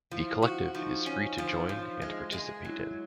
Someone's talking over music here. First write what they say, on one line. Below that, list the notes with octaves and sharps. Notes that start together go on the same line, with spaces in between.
The Collective is free to join and participate in.
F3 E4
F#4
F3 D#4
C#4
F3
F3
G#3
G#3
F#3 E4